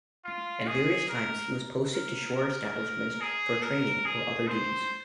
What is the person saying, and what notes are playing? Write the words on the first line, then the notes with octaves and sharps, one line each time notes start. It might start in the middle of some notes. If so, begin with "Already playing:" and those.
At various times he was posted to shore establishments for training or other duties.
F4
G#4
A#4
A#4
A#4
G#4
A#4
G#4
C5